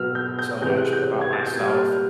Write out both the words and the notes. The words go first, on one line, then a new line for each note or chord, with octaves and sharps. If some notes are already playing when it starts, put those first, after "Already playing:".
so much about myself
Already playing: B2 F#3 E6 F6
G6
G6
C3 E3 G#3 G6
F#6
G6
G#6
A6
G6
A#2 G3 G#6
F6
F#6
F6